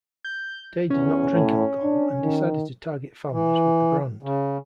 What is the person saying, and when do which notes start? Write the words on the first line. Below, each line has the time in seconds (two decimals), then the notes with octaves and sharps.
Day did not drink alcohol, and decided to target families with the brand.
0.25 G6
0.90 E2 C#4
1.31 A2
1.82 D4
2.22 D#3
3.32 E3
4.23 C#3